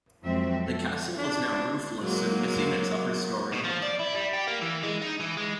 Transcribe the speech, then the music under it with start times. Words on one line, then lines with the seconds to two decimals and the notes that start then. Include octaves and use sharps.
The castle is now roofless and missing its upper storey.
0.23 F2 F#3 G#3 C4 E5
0.64 A4
1.18 D4
2.00 F#3 G#3 A#3
3.53 B2
3.65 F3
3.83 D5
4.00 E4
4.15 G3
4.34 G4
4.48 A#3
4.62 E3
4.83 G#3
5.02 D#4
5.20 E3
5.37 G#3